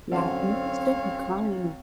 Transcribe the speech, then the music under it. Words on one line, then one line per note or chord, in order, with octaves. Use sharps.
Yeah, and you can still be kind
F#2 D3 C4 C5 C#5 F5